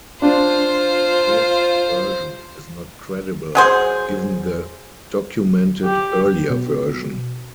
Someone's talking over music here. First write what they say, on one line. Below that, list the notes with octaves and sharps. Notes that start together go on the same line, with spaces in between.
This version is not credible, given the documented earlier version.
D4 F4 C5
F#3 G#4 C5
G4
B2